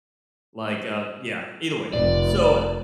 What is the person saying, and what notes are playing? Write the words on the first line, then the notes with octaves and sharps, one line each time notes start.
like, uh, yeah, either way, so, uh
F1 D5